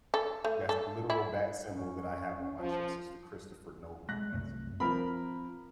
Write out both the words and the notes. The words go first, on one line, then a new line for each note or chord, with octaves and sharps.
that's the literal bat symbol that I have on my chest, it's the Christopher Nolan bat symbol.
A4
A3
A4
E4
C#4
F3
G#3 F#6 A#6
C2 F#2 A3
F3 C4 A#4 B5